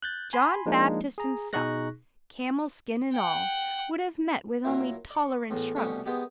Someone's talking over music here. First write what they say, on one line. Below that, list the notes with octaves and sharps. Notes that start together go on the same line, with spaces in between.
John Baptist himself, camel-skin and all, would, have met with only tolerant shrugs.
F#6 G6 A6
G#5 B5 C6
F3 G#3 A#3 D4 D#4
G#4 A#5
B2 D#4 G#4 C#6 F#6 A#6
F#5 G5
A#2 F#3 A#3 E4
D5 C#6
E2 A2 E3
C2 B2 G3 A3 C#4 C#5
D#3 G#3 B3 G4